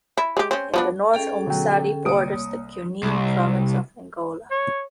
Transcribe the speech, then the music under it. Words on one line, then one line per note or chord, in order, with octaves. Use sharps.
In the north, Omusati borders the Cunene Province of Angola.
E4
G#3 G4
C4 C#4
F3 B3 D4
C#4 G#4 A4 G5
B2 D3 F#3 G5
C2 A#3 C#5 D#6
C2
C#5